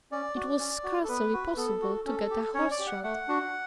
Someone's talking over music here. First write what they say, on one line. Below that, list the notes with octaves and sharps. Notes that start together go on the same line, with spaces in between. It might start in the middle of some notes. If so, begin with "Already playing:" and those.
It was scarcely possible to get a horse shod.
C#4 D5
F#4
C#4
F#4
A4
B3 B4
F#4
B3 A4
F#4
C#4 A4
G4
C#4 C#5
D5
G4
F#5
A3 F#5
D4 F#4